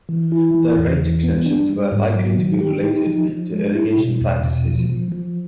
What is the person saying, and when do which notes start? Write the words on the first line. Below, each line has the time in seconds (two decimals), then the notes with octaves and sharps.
Their range extensions were likely to be related to irrigation practices.
0.09 E3
0.32 E4
0.55 E3
0.78 E2
1.00 E3
1.23 B3
1.46 D4
1.69 G3
1.92 G#2
2.15 F#3
2.38 D#3
2.61 G4
2.84 D#4
3.06 F3
3.30 F3
3.52 G#3
3.75 E4
3.98 B2
4.21 E2
4.43 B2
4.66 F3
4.89 F3
5.12 F3